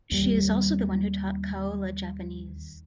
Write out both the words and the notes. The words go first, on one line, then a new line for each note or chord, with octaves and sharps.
She is also the one who taught Kaolla Japanese.
D#2 G3